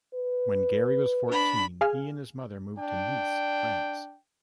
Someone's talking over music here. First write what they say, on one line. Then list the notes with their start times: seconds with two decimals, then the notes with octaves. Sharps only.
When Gary was fourteen, he and his mother moved to Nice, France.
0.14 B4
1.30 D4 B5
1.81 G#4 F5 G#5 F6
2.79 D4 G5